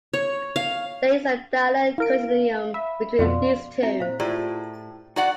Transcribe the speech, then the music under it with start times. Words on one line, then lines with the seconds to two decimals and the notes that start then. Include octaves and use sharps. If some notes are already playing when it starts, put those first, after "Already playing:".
There is a dialect continuum between these two.
0.14 C#5
0.56 F5
1.98 E4 A#4 F5 D7
2.74 E5 B5
3.19 F2 B2 D5 F5 C6
3.83 C4 E4 F#4 E5
4.00 A#2 C5 F5
4.20 A2 E4 F4 G4 G#4 D5 A#5
4.74 A5
5.16 F#4 D5 F#5 A#5